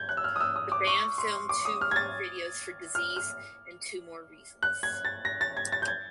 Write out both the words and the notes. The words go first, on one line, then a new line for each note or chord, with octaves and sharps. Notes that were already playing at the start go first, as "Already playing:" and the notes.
The band filmed two more videos for "Disease" and "Two More Reasons".
Already playing: G6 G#6
F#6
E6
F6
D#6
E6
D#6
D6
C#6
C6
D6
D#6
F6
G#6
A6
F6
F6
F#6
G#6
A6
A#6
A6
G#6
A6
G6
G#6